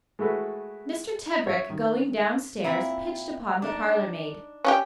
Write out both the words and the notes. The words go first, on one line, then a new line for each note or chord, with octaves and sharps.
Mr. Tebrick going downstairs pitched upon the parlour-maid.
G#3 A3 E4 F#4 A4 B4
C#5 E5
D#3
A#2 C4 E4
D4 D#4
C#4 F#4 G4